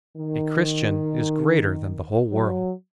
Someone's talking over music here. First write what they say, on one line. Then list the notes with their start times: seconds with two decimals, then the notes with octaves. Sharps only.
A Christian is greater than the whole world.
0.17 D#3
2.32 F#3